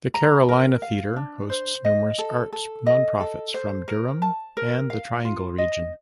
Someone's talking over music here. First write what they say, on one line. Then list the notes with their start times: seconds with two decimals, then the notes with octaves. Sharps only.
The Carolina Theatre hosts numerous arts nonprofits from Durham and the Triangle Region.
0.14 A#5
0.49 A#4
0.82 F5
1.16 D4
1.50 C5
1.85 D#5
2.18 A4
2.53 A4
2.86 D#5
3.20 A4
3.54 C5
3.88 A#4
4.22 A5
4.57 A#4
4.90 F5
5.25 F4
5.58 D#5